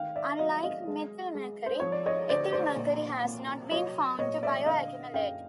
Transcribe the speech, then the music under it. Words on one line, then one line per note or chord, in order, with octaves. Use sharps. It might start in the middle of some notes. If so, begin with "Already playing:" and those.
Unlike methylmercury, ethylmercury has not been found to bioaccumulate.
Already playing: D#3 F5 G5
D5 E5
F#3 D#5 F5
D#5 F5
G#3
G#3
C5
F3 C#5
D5
C#5 D#5
D2 C5 D5
C5 D5
A#2
A#3
F#3 C#5 D#5
A#2 C#5 D#5
D5 E5
D3 D#5 F5
F#2 F5 G5